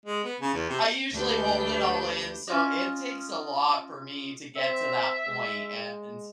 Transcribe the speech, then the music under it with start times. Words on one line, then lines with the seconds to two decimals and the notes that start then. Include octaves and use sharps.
I usually hold it all in, so it takes a lot for me to get to that point, and,
0.06 G#3
0.24 B3
0.40 C#3
0.54 E2
0.70 C3
1.14 D2 D4 G4 B4 G6
2.47 C#4 F4 D#5
4.56 C4 E5
5.27 G#3